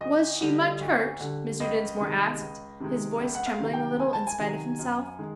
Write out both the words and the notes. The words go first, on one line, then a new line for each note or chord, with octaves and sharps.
"Was she much hurt?" Mr. Dinsmore asked, his voice trembling a little in spite of himself.
D2 D#5
D3 G3
D2
D3 G3
C#2 D#5
C3 D#3 G#3
C#2
C3 D#3 G#3
C#2
F#5
F5
C3 D#3 F#3
G5
C#2 G#5
A5
G#5
C3 D#3 F#3
F#2
D#3 G#3